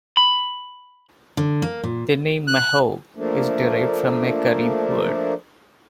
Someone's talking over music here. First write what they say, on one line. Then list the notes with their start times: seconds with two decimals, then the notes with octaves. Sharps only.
The name mahoe is derived from a Carib word.
0.17 B5
1.37 D3
1.62 A#3
1.84 A#2
2.47 F#6
3.16 F3 A3 A#3 D4